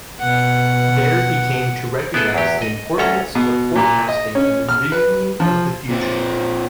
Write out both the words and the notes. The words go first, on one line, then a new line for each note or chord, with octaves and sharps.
There he came to recognize the importance of forecasting and envisioning of the future.
B2 F#5
B3 E4 G#4 A4
E2 F#3 G4
D#5
D2 C#4 A4 A#5
B2
A#2
D#5
C#4
F6
B4
F3
A#2 C4